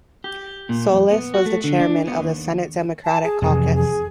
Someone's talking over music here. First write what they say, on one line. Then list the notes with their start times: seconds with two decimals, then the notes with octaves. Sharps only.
Soles was the chairman of the Senate Democratic Caucus.
0.24 G4
0.69 A#2
0.92 F2
1.11 B3
1.34 F#4
1.46 A3
1.64 D3
1.80 D4
2.07 B3
2.20 D#2
3.04 A5
3.24 G#4
3.42 F2 C3 E3 G#4
3.75 G#4